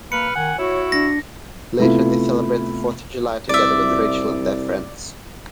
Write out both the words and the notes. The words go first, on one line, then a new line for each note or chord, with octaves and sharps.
Later they celebrate the Fourth of July together with Rachel and their friends.
A#3 B4 F6 C#7
D#3 F#5 G#5
E4 F#4 C#5
D4 A#6
C3 A3 B3 E4 F4
C2 D5 E5